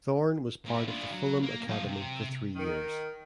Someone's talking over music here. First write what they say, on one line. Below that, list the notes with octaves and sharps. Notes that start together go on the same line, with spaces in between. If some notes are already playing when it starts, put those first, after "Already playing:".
Thorn was part of the Fulham academy for three years.
A#2 E4
D4 F4
F#3
A#3
F#3 F5
C3
D#3